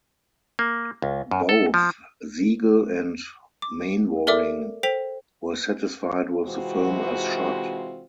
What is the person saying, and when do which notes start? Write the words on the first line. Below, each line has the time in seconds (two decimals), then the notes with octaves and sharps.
Both Siegel and Mainwaring were satisfied with the film as shot.
0.59 A#3
1.02 C#2
1.31 F#2
1.49 A4
1.74 F3
3.62 D6
4.27 A4 A#4 D5 E5 D6
4.83 A4 C5 G5 B6 F7
6.44 C3 E3 G#3 C4 F4 F#4